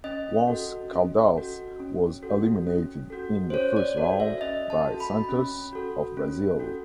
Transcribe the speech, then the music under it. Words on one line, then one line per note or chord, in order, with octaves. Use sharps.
Once Caldas was eliminated in the first round, by Santos, of Brazil.
C#4 D#5
F#4 A4
C#4
F#4 A4
C#4
F#4 A4
C#4
F#4 A4
C5
C#4 C#5
D5
F#4 A4 D5
E5
C#4 D#5
A5
F#4 A4
B5
C#4
F#4 A4
C#4
F#4 A4